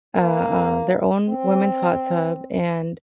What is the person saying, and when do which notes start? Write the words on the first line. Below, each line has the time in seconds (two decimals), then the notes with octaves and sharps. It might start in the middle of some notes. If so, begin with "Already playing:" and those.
uh uh, their own women's hot tub, and
0.16 A#3
1.29 C4